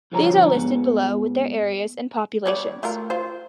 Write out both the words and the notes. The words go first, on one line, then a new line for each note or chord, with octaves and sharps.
These are listed below with their areas and populations.
C2 F2 D3 F3 C#5 A#5
G#2 B3
G3 C#5 D5
A3 F4 A#4
F4 C5